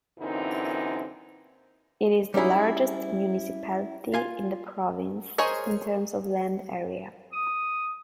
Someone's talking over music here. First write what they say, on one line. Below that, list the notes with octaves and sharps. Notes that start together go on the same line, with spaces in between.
It is the largest municipality in the province in terms of land area.
F#2 A#2 D3 E3 C4 D#4
G3 C#4 D#4 E4 G#4
F4 G#5
G#4 A#4 C5 C#5 D#5
D#6